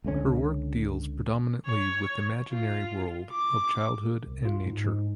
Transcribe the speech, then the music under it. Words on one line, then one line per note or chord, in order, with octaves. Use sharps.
Her work deals predominately with the imaginary world of childhood and nature.
C#2 D3 D#3 C#4
C#5
F4
D6
C2
F4
G#2
G#2